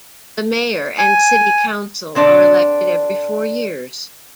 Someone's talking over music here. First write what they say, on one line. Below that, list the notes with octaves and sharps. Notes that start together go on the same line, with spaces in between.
The Mayor and City Council are elected every four years.
G#5
D3 C4 D4 D5